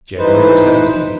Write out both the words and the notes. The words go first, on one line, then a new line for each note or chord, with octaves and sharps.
"January the seventeenth."
E3 D#4 B4 C5